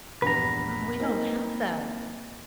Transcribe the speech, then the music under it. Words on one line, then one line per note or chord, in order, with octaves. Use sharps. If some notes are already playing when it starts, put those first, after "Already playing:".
Oh, we don't have that.
A#1 E2 G2 B4 A#5
A#3 C4 D#4